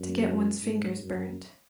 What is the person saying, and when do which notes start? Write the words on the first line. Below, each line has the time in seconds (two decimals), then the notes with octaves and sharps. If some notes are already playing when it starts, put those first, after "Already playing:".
To get one’s fingers burnt.
Already playing: F#2
0.62 G#2
1.01 F#2